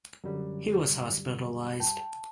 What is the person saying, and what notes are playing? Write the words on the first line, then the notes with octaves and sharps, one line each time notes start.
He was hospitalized.
F#2 D3 F#3 G3
G5 A5